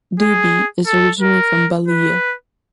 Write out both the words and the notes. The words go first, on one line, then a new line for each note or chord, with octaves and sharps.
Dubey is originally from Ballia.
G#4
A4
A#4
B4